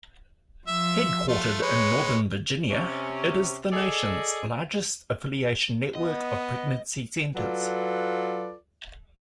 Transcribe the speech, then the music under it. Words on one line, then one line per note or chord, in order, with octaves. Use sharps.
Headquartered in Northern Virginia, it is the nation's largest affiliation network of pregnancy centers.
F3 E5 E6
A3 F4
G#3 B4 C#5
C3 C#4
G#4 A4 D5 D#5
B3 D#5
F#3 F4 A4 B4 D5